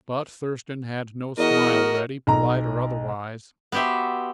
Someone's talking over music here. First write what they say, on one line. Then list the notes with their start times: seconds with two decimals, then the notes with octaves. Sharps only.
But Thurston had no smile ready, polite or otherwise.
1.38 E2 F#4 G#4 A#4 D#5
2.27 B1 A#5
3.72 B3 F#4 G4 C5 E5